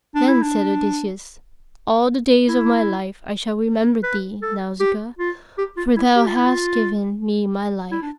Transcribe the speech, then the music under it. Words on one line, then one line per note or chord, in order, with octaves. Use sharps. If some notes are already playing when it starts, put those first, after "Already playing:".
Then said Odysseus: "All the days of my life I shall remember thee, Nausicaa, for thou hast given me my life."
D4
E4
D4
E4
B4
A4
G4
F4
G4
F4
E4
G4
F4
E4
F4
E4
D4